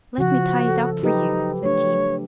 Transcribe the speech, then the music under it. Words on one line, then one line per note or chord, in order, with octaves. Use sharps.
"Let me tie it up for you," said Jean.
C#3 F3 F#4
A4
F#3 D#4 G4 B4
A3 D4 C#5